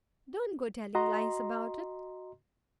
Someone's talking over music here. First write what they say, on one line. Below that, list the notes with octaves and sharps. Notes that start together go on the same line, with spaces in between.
Don't go telling lies about it.
F#4 D#5 A#5 C6